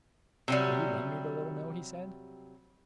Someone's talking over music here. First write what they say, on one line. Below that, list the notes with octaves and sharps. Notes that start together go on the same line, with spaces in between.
"Will you lend me the Little Mill?" he said.
C3 F#3 G3